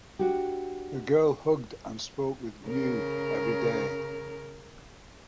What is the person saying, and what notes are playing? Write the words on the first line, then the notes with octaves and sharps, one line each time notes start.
The girl hugged and spoke with Mew every day.
D4 F#4 G4
C#3 A#4